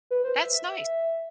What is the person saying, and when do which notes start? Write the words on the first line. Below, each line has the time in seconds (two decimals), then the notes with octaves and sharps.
That's nice.
0.11 B4
0.24 C5
0.39 E5
0.53 E5